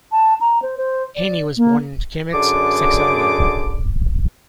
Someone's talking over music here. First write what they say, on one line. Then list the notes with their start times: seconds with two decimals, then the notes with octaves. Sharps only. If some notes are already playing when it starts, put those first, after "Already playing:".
Heyne was born in Chemnitz, Saxony.
0.12 A5
0.41 A#5
0.62 C5
0.78 C5
1.16 D5
1.57 A#3
2.34 F#2 D3 G#4 D5 D6